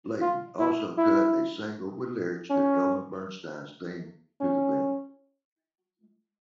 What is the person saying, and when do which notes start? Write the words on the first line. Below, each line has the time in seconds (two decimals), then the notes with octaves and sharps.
Leyton also cut a single with lyrics to Elmer Bernstein's theme to the film.
0.21 F4
0.59 E4
0.98 E4
2.50 C#4
4.41 C#4